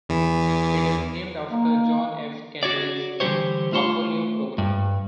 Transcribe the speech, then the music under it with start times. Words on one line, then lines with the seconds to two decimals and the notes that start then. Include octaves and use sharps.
It is named after John F. Kennedy's Apollo program.
0.09 E2 E3
1.50 A#3
2.63 F#4 C#5 D5
3.20 D3 E3 G3 G4 C5 C#5
3.72 A3 F4 C5 C#5 C6
4.58 G2